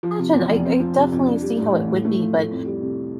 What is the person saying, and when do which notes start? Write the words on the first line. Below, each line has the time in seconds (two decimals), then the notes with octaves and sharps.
can imagine. I I definitely see how it would be, but
0.03 F3
0.19 C3
0.33 E2
0.49 F1
0.65 C4
0.80 F3
0.96 C3
1.12 F2
1.26 D4
1.42 G3
1.58 A2
1.74 A1
1.89 A2
2.05 A3
2.20 F3
2.35 A2
2.51 F2
2.66 G3
2.82 C3